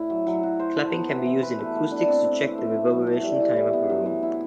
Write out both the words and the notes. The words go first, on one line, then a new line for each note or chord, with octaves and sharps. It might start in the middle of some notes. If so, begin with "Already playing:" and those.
Clapping can be used in acoustics to check the reverberation time of a room.
Already playing: A2 E4
F#3
F#3
F#4
C5
A4
B3
E3
E3
B4
A3
A3
D4
C4
C4
E3
A3
B3
F#3
E3
G3
E3
E3
B3
F#3
E3
E4